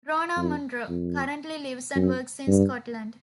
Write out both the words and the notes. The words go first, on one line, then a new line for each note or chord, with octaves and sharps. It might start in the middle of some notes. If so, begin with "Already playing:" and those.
Rona Munro currently lives and works in Scotland.
F2
F2
F#2
G2